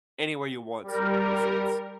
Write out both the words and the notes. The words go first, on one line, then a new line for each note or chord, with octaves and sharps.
anywhere you want to, in a sense.
G3 A#4